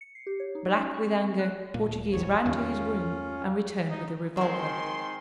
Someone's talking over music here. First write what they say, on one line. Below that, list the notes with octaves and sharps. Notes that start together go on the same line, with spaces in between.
Black with anger, Portoghese ran to his room and returned with a revolver.
C#7
C7
G4
C#5
D#4
C#4
C#6
C4
F#6
D1 A#2 A#3
E1 A#1 E2 C#5
E2 G2 D#3 C#4 F4
D#4 D#5
D#3 G#3 C4 C6